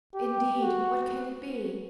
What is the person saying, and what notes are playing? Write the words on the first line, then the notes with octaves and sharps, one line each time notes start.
"Indeed! what can it be?"
G4
F#4